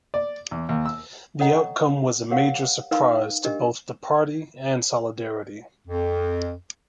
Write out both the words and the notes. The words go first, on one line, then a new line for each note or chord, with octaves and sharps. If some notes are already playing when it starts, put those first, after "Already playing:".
The outcome was a major surprise to both the Party and Solidarity.
D5
E2
D#2
E6
A4 C#5 D#5 F#5 G5 A#5
G4 A#4 C#5 F5 F#5
D#4 A#4 B4 F5 G5
D4 G4 A#4 D#5
F2